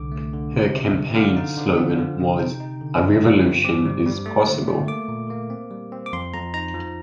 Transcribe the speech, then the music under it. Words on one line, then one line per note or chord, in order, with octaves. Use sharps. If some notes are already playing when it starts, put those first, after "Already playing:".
Her campaign slogan was "a revolution is possible".
Already playing: C2 D3 D6
A3
D3
C3
C3
G3
D3 F5
D#4
D3
C4
F3
C3
D#4 G5
D#4
D3
G2
G2
G2
C4 D6
G3
G3
A3
D3
A3
A#3 D6
A#2
A#3
C4
G3
C4
D6
F2 C6
F2 A#5
D#4 A#5
F3